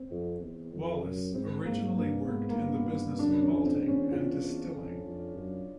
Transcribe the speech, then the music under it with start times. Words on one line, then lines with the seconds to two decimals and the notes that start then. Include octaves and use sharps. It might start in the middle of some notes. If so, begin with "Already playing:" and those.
Wallace originally worked in the business of malting and distilling.
Already playing: C4
0.11 F2
0.42 E2
0.72 F2
1.03 F#2
1.34 G#2 C4
1.64 G#2 A#3
1.96 G2 A#3
2.26 G#2 B3
2.49 A#3
2.58 G2
2.73 B3
2.89 G2
3.18 F#2 D4
3.42 C#4
3.49 F2
3.65 C4
3.80 E2
3.88 C#4
4.11 E2 F4
4.43 E2
4.73 F2
5.04 F2
5.35 F#2